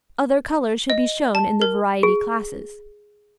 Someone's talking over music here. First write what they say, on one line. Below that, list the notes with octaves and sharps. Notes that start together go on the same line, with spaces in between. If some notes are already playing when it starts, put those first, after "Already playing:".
Other colours should be shown in the variety classes.
D#5
A5
A#4
G#4